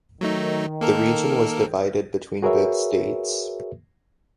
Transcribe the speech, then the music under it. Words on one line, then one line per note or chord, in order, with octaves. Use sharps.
The region was divided between both states.
D#3 F#3 A3 D#4
A#3 A4 A#4
F#4 G#4 A#4 B4 C#5 E5